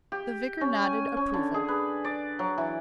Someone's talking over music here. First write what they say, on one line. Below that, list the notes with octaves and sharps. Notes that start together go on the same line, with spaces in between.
The vicar nodded approval.
G4
C#4
G#5
C#4
D3
G#4
B4
D5
F#3
E3